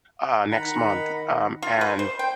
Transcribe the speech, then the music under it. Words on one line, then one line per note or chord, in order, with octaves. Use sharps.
uh, next month, um, and
D#3 F#5 A#5 B5
F4
B4
C5
G5